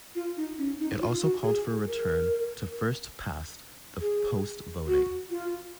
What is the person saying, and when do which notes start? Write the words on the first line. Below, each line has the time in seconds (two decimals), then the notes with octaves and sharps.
It also called for a return to first past the post voting.
0.15 F4
0.37 D#4
0.58 C#4
0.80 D#4
1.01 F4
1.23 F#4
1.44 G#4
1.87 A#4
4.01 G#4
4.87 F#4
5.30 F4